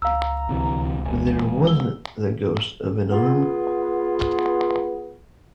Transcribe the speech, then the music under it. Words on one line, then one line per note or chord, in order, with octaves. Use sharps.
There wasn't the ghost of an arm!
C#2 F5 A#5 E6
D2 C3 E3
E1 G#5
E6 G7
B3 F4 G#4